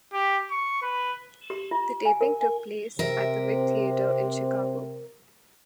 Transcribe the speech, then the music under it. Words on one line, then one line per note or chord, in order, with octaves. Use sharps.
The taping took place at the Vic Theatre in Chicago.
G4
C#6
B4
G4
F4
G#5
A#4
G#5
C3 C4 A#4 E5